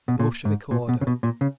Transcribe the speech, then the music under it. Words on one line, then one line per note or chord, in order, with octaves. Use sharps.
Bolshevik order.
B2
A#2
G#2
A#2
B2
C#3
B2
A#2
C#3